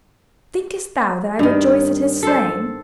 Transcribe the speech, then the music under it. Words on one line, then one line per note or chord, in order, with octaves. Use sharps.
Thinkest thou that I rejoice at his slaying?
G2 D#3
A4 C5